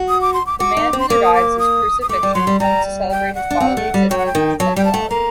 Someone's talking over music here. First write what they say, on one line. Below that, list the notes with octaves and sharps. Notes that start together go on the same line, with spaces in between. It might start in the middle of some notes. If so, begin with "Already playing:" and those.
The man who survives his crucifixion comes to celebrate his bodily existence and sensuality.
Already playing: F#4
D#6
D6
C6
D6
F#4 D6
D#4
C4
C6
A#3 D6
D#6
D6
D#6
D#6
A3 D6
G3
F#3 C6
G3
G3 A#5
G5
F#5
D4
C4
A3
G3
F#3 G5
F#5
G5
D#3
F#3 A5
G3 G5
A5
A3
A#3 A#5